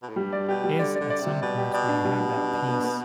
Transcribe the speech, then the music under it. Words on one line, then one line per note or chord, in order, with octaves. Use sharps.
is at some points where you have that peace,
B2
A2
G2 G3
D5
B2 G4
G3
D3 D5
D5
D3
D5
C3
G3
B2 D5
G4
B2 D5
D4
G3
G3
D4
D4
B3
B3